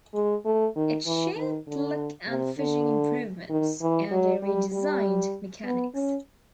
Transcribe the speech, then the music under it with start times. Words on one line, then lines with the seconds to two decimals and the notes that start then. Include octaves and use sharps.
It showed look and finishing improvements, and a redesigned mechanics.
0.14 G#3
0.45 A3
0.76 D#3
1.06 E3
1.36 D#3
1.67 D3
2.28 C3
2.58 D3
3.50 D#3
3.82 E3
4.11 F#3
4.43 G3
4.72 G3
5.65 B3
5.94 C#4